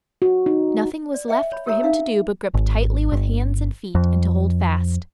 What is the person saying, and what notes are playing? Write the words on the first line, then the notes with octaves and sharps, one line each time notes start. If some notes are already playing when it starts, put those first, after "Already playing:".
Nothing was left for him to do but grip tightly with hands and feet and to hold fast.
F#4
D#4
D5
D#5 E5 G5
C#5 B5
G4 A4 A#4 C#5 E5 A#5
D4 D#4 E5 F5
G#1
G1
F2